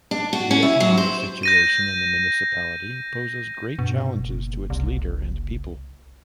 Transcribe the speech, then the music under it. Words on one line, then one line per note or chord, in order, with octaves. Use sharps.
The economic situation in the municipality poses great challenges to its leader and people.
D4
F#4
C#4
E4
F#3
C5
G6 A#6 D#7
G2 B2
F#1
C2